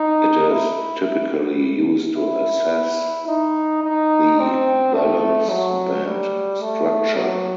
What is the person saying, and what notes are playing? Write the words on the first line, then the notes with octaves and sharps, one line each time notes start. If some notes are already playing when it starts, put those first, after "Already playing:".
It is typically used to assess the valence band structure.
Already playing: D#4
E4
E4
D#4
D#4
C4
A3
F#3
G3
A3
F#3